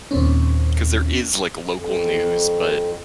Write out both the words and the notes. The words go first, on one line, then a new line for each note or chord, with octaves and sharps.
'cause there is, like, local news, but
D#2 A#2 C4 C#4
F2